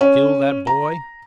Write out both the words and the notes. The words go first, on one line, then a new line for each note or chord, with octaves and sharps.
Kill that boy?
C#4
A#5